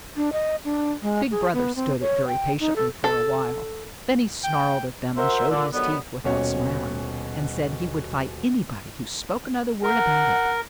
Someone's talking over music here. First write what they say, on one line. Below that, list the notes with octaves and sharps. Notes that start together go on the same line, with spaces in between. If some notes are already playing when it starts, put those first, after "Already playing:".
Big Brother stood it very patiently for a while; then he snarled at them, and showed his teeth without smiling, and said he would fight anybody who spoke another word about it.
D4
D#5
D4
G#3
G#4
B3
C4
C#5
G5
D#4
A4
A4
G5
F#4 A#4 C5 E5
A#2 D3
D3 D#3 F#3 G3 B3
D#1 B2 C#4 C#5
A#4 F#5